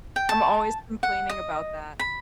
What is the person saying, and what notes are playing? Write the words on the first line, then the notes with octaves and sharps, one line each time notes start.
I'm always complaining about that.
G5
A5
F#5
D#5
B5